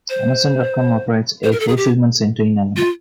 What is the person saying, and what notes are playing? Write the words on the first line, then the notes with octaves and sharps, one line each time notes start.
Amazon dot com operates a fulfillment center in Avenel.
C5
C5
A#4
A4
G#4
G4
F4